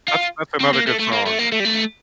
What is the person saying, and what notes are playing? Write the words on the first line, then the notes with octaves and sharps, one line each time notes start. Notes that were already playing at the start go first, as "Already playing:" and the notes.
That's that's another good song.
F4
C4
A#3
A3
A3
A#3
A3
A#3
A3
G3
A3